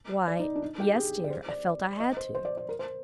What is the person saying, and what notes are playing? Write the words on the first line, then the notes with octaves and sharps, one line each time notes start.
'Why--yes, dear--I felt I had to.'
D5
D#4
D4
D#4
G4
G#4
D5
C5
D5
D#5
C5
C5
D5
D5
A#4
C5